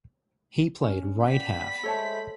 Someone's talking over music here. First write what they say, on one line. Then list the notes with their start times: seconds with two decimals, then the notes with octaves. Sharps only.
He played right half.
0.83 C#4
1.25 B3 D5 G5 B5 B6
1.83 G#3 A3 A4 C5 C#5 A5